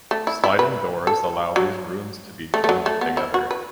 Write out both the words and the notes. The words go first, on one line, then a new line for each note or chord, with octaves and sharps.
Sliding doors allow these rooms to be joined together.
A3
E4
E4
B4
A4
F#3
A3
A3
F#3
A3
B3
E4
F#4
B4